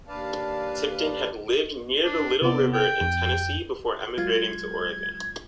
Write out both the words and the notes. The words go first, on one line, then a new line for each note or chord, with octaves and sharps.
Tipton had lived near the Little River in Tennessee before emigrating to Oregon.
D#2 D4 B4 D5 F5 A5
D4
C3 B3 D5
G5
F2
F#3 G#3 F4 G#6